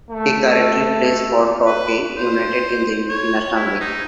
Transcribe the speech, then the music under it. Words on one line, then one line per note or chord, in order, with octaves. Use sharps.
He currently plays for Torquay United in the National League.
A3
B4
C5
C#5
E4
D#4